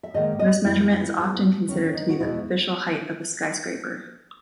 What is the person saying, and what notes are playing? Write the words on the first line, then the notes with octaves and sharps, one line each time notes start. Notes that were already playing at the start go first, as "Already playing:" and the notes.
This measurement is often considered to be the official height of a skyscraper.
E5
G#2 D#3 A#3 D#5
D#5
F#2 E3 A#3 E4
G#2 F#3 B3
D#2 D#3 A#3 C#4
D#4
F#4
E2 B2 G#3 E4